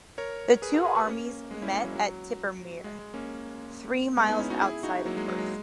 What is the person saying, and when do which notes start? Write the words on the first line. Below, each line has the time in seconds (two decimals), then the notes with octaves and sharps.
The two armies met at Tippermuir, three miles outside of Perth.
0.18 A#4 C#5
0.62 G#4 B4
0.74 F#4 A#4
0.85 G#4 B4
0.95 G#4 B4
1.07 A#3 C#4
1.51 G#3
1.62 C#4 E4
1.73 A#3 C#4
1.84 F#3 A#3
1.95 F#3
2.84 G#3
2.99 G#3
3.14 A#3 C#4
4.17 G#3 B3
4.29 B3 D#4
4.39 C#4 E4
4.50 D#4 F#4
4.61 E4 G#4
4.83 D#4 F#4
5.05 F#3 A#3
5.17 G#3
5.29 F#3
5.39 G#3